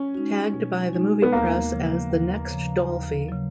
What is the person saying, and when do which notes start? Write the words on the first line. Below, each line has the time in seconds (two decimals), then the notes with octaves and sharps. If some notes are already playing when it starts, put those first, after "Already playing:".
Tagged by the movie press as the Next Dolphy.
Already playing: C#4
0.15 G#3 D#4 F#4
0.54 B2
0.93 G#3 D#4 F#4
1.22 B3
1.32 D#2 A#3
1.72 C#3 F3
2.11 D#2
2.51 C#3 F3
2.89 D#2
3.28 C#3 F#3